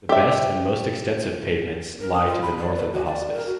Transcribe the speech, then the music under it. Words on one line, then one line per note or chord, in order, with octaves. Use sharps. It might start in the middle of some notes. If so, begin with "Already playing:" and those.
The best and most extensive pavements lie to the north of the hospice.
G4 E5
A#4
D#6
F4
B5
D5
B4
F#4
D5
A#4
F#4